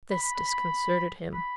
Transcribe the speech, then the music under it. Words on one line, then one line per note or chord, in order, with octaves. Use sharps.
This disconcerted him.
B5
B5
B5
B5
B5